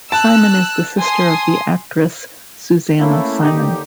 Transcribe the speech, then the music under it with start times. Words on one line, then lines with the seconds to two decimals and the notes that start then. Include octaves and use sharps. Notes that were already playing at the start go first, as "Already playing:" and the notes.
Simon is the sister of the actress Susanna Simon.
0.12 A5 E6 F#6
0.97 G#5 C6 D#6
2.99 A3 A#3 C#4 E4 A4
3.42 D#2 D3 D#4 G4 A#5